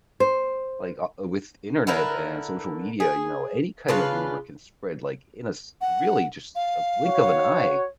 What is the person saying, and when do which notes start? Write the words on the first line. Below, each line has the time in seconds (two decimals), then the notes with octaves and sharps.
like o with Internet and social media, you know, any kind of rumor can spread, like, in a s really just a blink of an eye.
0.20 C5
1.87 D3 E4 A#4 B4
3.00 G#4
3.88 C#3 D4 F4 B4
5.81 F#5
6.55 F5
7.06 F#4 C#5